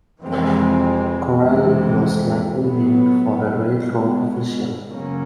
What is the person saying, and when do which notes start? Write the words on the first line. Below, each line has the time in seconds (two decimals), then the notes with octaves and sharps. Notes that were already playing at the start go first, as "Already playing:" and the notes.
Correll was likely named for a railroad official.
0.21 F2 C3 E3 G#3 C4
1.38 F2 C3 E3 G#3
2.55 A2 F#3 B3
3.72 B2 G#3 B3
4.88 F#2 C#3 F#3 A#3 C#4